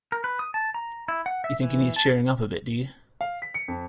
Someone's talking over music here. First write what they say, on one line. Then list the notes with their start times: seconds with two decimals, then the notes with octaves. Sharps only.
You think he needs cheering up a bit, do you?
0.12 A#4
0.24 B4
0.39 D#6
0.54 A5
0.74 A#5
1.08 E4
1.26 F#5
1.44 E5
1.63 E3
1.96 A5
3.21 F5
3.42 B6
3.54 C#7
3.68 F2